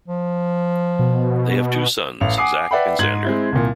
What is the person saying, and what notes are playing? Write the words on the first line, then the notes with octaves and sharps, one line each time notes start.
They have two sons, Zack and Xander.
F3
B2
A1 F5 F7
F#5 G#5 D6 D#6 C7
B4 D5 E5 F#5 G5 B5
G#2 G#6 F#7
G#3 C4 E4
C2 A#2